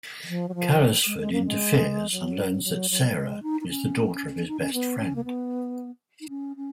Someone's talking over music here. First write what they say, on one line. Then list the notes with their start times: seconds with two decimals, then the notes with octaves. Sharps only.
Carrisford interferes and learns that Sara is the daughter of his best friend.
0.23 D#3
0.28 F3
0.49 F#3
0.55 F3
1.06 G#3
1.19 G#3
1.32 A#3
1.46 G#3
2.11 F#3
2.64 F#3
2.90 F#3
3.10 A#3
3.15 G#3
3.43 D#4
3.61 D#4
3.68 C#4
4.48 D#4
4.60 C#4
4.74 B3
4.99 C#4
5.16 A#3
5.25 B3
6.21 D#4
6.29 C#4
6.57 C#4